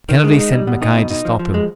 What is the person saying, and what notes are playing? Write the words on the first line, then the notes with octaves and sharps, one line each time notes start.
Kennedy sent Mackay to stop him.
D#3
G#3
D#4
G3
B2
D#4
B2
D#4
F3
F3
G#3